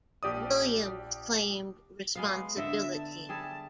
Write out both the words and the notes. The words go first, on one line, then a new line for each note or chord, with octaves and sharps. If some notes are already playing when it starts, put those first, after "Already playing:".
Williams claimed responsibility.
A#1 G4 D5 D#6
G#3 B3 F5
D3 D#5 E5
A5
G3 G#4 E5